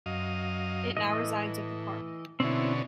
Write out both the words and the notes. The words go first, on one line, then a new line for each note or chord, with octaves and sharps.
It now resides at the park.
F#2 D#5 F5
A2 E3 D#5
B2 D3 C4 C#4 E4